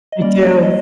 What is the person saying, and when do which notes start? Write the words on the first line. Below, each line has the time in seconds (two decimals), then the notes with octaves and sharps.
I do.
0.12 D#5
0.22 G3 A#3 C#4 D5
0.63 D#5